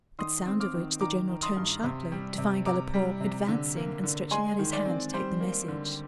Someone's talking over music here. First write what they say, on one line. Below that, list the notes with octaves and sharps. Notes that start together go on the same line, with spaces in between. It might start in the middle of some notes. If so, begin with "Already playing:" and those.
At sound of which the General turned sharply, to find Galipaud advancing and stretching out his hand to take the message.
D#3 C6 D#6
C4
D6 F6
D#3
D#3 A#5 D6
D#3
C6 D#6
G2
C3
G3
C3
C3 A#5 D6
G3
C3
D3
A#3
D3
G#3 G#5 C6
D#3
D5
C4
G3 C5
A#3
D3